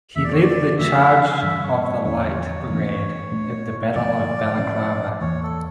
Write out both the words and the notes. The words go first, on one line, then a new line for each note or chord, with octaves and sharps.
He led the Charge of the Light Brigade at the Battle of Balaclava.
F2 C#3 E3 A#3 E5
D5
C#5
D5
D3 F3 A3 D4 E5
E5
F5
G2 E3 G3 E5
C#5
C#5
E2 D3 F3 C#4 C#5
G2 E3 A3 C#4
A#2 A3 D4
G2 D3 F3 A3 D5
A#2 F3 C#4
E2 E3 A#3 C#5
A4